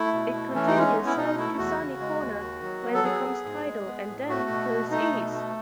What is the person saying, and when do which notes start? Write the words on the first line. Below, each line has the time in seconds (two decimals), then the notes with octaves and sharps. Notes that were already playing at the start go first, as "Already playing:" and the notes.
It continues south to Sunny Corner where it becomes tidal, and then flows east.
Already playing: A3 E4
0.13 B2
0.34 A3
0.54 E3 C#4
0.67 D#4
0.76 G#3 C#4
0.96 B3
1.06 E4
1.17 B2 D#4
1.37 A3 E4
1.58 E2 F#4
1.79 C#3
2.00 G#3
2.21 D#2
2.42 D#3
2.63 F#3
2.83 B3
2.94 A4
3.04 F#3 G#4
3.25 B3
3.45 G#2
3.66 G#3
3.87 B3
4.08 A2
4.29 A3 F#4
4.49 B2
4.70 A3
4.91 A3 D#4
5.12 B2
5.33 A3